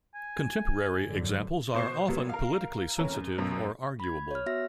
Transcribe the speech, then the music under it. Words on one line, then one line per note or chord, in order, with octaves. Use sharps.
Contemporary examples are often politically sensitive or arguable.
G#5
G#1 F#2 D3
B2 C5 C#6 C7
A#2 F#3 G3 B3
A#4 F5
F1 E3 C#4 A#4
F#2
B1 F#2 B2
B5 G#6
C#5 F6
B3 F#4 E5 E6 A#6